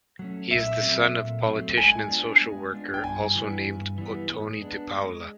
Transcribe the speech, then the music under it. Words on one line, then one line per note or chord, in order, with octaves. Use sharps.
He is the son of politician and social worker also named Otoni de Paula.
F#3 A3 C#4
A#2 E5
F#3 A3 C4
A#2
F#3 A3 C4
G#3 G#5
B3 D4 F4
G#3
B3 D4 F4
G5
G2 G#5
E3 G3 B3
G2
E3 G3 B3
G#3
B3 D4
G#3